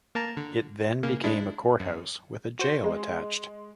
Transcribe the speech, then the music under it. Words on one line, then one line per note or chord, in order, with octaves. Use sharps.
It then became a courthouse with a jail attached.
A#3 A5 A#5
D3
C#3 A#3
G#3 D4 E4
F#2
F#4 C5
G#3